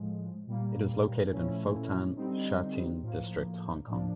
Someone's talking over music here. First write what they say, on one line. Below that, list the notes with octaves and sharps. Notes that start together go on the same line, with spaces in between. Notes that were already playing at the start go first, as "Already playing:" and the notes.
It is located in Fo Tan, Sha Tin District, Hong Kong.
Already playing: A2 F3 G#3
A#2 G3 A#3
A#2 F3 A3 C#4 E4
D3 G3 C4 D#4
A2 F3 A#3
A2 F3 A#3 D4